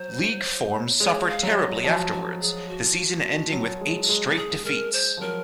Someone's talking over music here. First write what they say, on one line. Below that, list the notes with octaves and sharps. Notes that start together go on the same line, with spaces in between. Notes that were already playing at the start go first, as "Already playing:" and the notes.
League form suffered terribly afterwards, the season ending with eight straight defeats.
Already playing: F#3 C5
G#3 C#5
F5
F#3
F5
D#5
F3 F#4
F#4
G#4
F#4
F#3
G#3
G#3
G#3 G#4
G#3 A#4
C5
F3
F#3 A#4